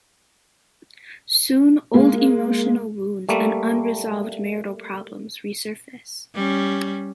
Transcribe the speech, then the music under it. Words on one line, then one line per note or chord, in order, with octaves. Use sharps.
Soon old emotional wounds and unresolved marital problems resurface.
G#3 A#3
G3 A3 A#3
G3 C#4